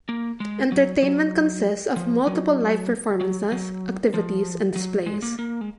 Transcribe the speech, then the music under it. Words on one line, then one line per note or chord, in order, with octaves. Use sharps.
Entertainment consists of multiple live performances, activities and displays.
A#3
G#3
F#3
F#3
F3
F#3
F#3
F#3
F3
F#3
G#3
A#3
A#3
G#3